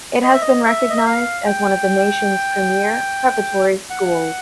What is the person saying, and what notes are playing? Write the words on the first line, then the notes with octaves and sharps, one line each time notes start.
It has been recognized as one of the nation's premier preparatory schools.
D#5
E5
D#5
E5
D#5
E5
F5
G5
F#5